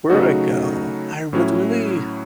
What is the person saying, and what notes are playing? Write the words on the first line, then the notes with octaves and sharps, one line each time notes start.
where would I go? I would really
C#3 F#3 A3 D#4 F#4
A2 F#3 C#4 E4